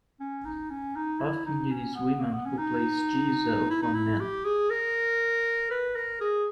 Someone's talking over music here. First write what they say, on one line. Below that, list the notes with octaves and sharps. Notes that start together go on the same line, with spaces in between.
Often it is women who place "geasa" upon men.
C#4
D#4
C#4
D#4
E4
D#4
C#4
B3
A#3
B3
C#4
D#4
E4
D#4
E4
G4
G#4
A#4
B4
A#4
G#4